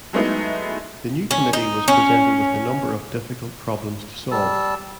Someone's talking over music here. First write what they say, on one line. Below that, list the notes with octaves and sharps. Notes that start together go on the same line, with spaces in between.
The new committee was presented with a number of difficult problems to solve.
F#3 G#3 A3 B3 D#4 E4
C#4
D#4
C#4
G3 A5 E6